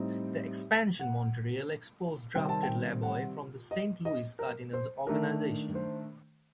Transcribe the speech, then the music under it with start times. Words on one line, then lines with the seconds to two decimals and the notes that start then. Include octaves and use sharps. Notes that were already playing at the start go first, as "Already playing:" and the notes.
The expansion Montreal Expos drafted Laboy from the Saint Louis Cardinals organization.
Already playing: A2 G3 C4 D#4
0.99 F#5
2.35 C3 D#3 G3 C4 G5
2.49 A5
2.63 G5
3.03 F#5
3.71 D#5
4.05 D#5
4.39 A#4
4.73 C5
5.07 D#3 A3 D4 A#4
5.75 C5